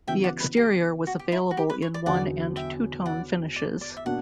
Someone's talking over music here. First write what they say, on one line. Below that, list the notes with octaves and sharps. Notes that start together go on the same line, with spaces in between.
The exterior was available in one and two-tone finishes.
C#3 E3 B3 F#4 E5 G5
D5 F#5
B4
G4
F#4
G4
E4
F#4
G4
B4
C#5
D5
E2 D3 F#3 C#4 F#4 D5 F#5
E5 G5
D5 F#5
D5
D5
E5
B2 A#3 D4 F#4 F#5